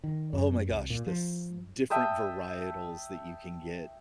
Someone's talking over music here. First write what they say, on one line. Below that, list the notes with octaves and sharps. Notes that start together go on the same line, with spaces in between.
oh my gosh, this different varietals that you can get.
D#3
F#2
C2
A#2
F3
E5 G5 A5 D#6